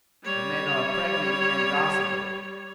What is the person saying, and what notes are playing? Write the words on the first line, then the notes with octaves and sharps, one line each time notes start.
The Men are pregnant and docible.
G3 C#5